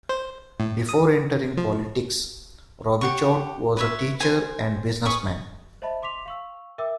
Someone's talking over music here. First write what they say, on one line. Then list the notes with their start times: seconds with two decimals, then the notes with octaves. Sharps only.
Before entering politics, Robichaud was a teacher and businessman.
0.09 C5
0.60 A2
0.89 D#6
1.57 F3
3.01 G4 F#5 C#6
3.77 B4 C#5 E5
4.20 C5 G#5
5.05 G#4 B4 C#6 D#6
5.82 C5 D#5 E5 A5 B5
6.02 C6 D6 B6 F7
6.26 F5 C#6 E6
6.78 A#4 E5 G5 D6 E6